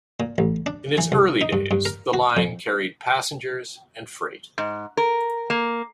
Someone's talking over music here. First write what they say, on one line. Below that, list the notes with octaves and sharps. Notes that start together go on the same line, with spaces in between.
In its early days the line carried passengers and freight.
A#2
A1
D4
E3
C2
D#4
G2
G2
A#4
F#4
F2
G#2
A#4
A#3